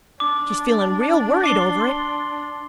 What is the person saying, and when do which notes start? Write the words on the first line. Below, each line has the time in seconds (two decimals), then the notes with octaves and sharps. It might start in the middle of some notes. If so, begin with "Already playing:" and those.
She's feeling real worried over it.
0.20 D4 D6
1.44 D6 C7 G7
1.81 C6